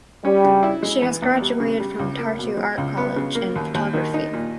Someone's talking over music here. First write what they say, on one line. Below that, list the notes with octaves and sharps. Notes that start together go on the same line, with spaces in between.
She has graduated from Tartu Art College in photography.
G3 C#4
C#3
E4
G#3
E3
E2
G3
C#3
G3
C#2
A#3
B2
G#3
C#2
B3
C#3
A#3
D#2
D#2
D#3
D#4
A#2